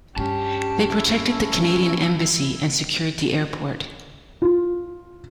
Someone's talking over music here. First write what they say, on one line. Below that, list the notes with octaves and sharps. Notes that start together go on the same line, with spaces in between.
They protected the Canadian embassy and secured the airport.
G2 G3 C#4 G4 A5
E4
F4